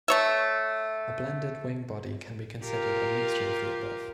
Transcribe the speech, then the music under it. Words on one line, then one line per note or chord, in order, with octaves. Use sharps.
A blended wing body can be considered a mixture of the above.
A3 C#5 E5
F4 G4 A#4